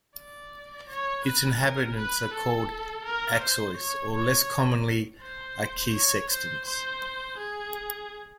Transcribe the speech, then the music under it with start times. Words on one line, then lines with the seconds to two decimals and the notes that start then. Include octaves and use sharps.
Its inhabitants are called "Aixois" or, less commonly, "Aquisextains".
0.17 D5
0.90 C#5
1.26 B4
1.60 A#4
1.97 B4
2.33 A4
3.05 A#4
3.42 C5
3.77 C#5
4.13 C#5
5.22 C5
5.94 C#5
6.30 C5
6.66 C5
7.38 G#4